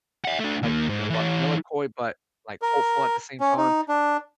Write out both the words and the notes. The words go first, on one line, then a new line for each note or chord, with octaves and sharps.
it's, like, mela melancholy, but, like, hopeful at the same time,
E5 F#5
A3 D4
D#2 A#3
G#2
E3 C#5
A#4
C#4
D#4
D4